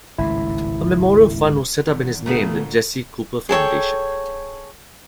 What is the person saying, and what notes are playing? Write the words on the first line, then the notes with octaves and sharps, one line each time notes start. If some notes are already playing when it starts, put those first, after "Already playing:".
A memorial fund was set up in his name, the Jesse Cooper Foundation.
G#1 C#2 A2 E4
G#1 E2
D2 A#2 A3 B3 G#4 A#5
G#4 A4 C#5 G5